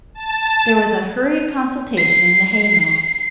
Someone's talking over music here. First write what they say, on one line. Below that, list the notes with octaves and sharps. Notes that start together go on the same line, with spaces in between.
There was a hurried consultation in the hay-mow.
A5
C7